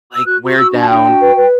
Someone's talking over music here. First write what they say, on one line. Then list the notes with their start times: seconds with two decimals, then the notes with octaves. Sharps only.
like wear down,
0.14 E6
0.26 F#4 F#6
0.42 F#4
0.58 F#4 E6
0.73 D4
0.80 A5
0.89 D4 G5
1.05 F#4
1.21 B4
1.37 B4